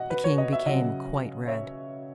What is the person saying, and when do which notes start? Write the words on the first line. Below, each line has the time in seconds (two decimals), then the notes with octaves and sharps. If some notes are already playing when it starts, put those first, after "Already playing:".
The king became quite red.
Already playing: B2 D#5 F#5
0.10 B4
0.24 C#5
0.38 D#5
0.52 E5
0.66 C#3 F#3 D#5 F#5
1.47 C#5 E5